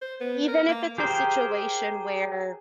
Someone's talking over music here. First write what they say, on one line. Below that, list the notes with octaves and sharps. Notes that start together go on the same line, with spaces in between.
even if it's a situation where,
C5
B3
A#4
A#3
G4 G#4 A#4 C5 G5